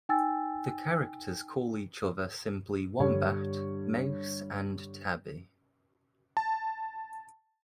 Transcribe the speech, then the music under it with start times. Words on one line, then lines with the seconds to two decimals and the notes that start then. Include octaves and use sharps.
The characters call each other simply Wombat, Mouse and Tabby.
0.09 D#4 G5 G#5 E6 A6
2.99 G2 D3 G3 C#5
6.37 A5